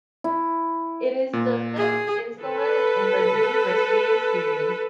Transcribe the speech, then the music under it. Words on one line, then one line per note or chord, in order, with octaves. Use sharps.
It is the fifth installment in the "Need for Speed" series.
E4
A#2
G#4
A4 B4